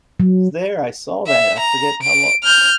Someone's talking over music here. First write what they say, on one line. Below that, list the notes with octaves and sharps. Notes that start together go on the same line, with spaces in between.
was there, I saw that, I forget how lo
F#3
E5
A#5
D7
F6 G6